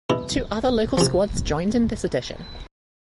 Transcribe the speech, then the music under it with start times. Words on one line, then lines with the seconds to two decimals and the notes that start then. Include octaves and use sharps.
Two other local squads joined in this edition.
0.10 B2 E4
0.97 C3 F3